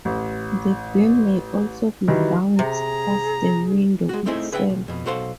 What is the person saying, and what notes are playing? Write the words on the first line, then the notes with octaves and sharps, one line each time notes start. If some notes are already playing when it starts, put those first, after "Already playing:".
The beam may also be bounced off the window itself.
A1
D#3 E3 F#3 G3
C3 G#4 A#5
G#3 F#4
A3 C4 D#4 E4 G#4 C5
G#4 B4 E5 F#5 G5
B1
F2 B2
B1 F#4 A4 C5 F5 C6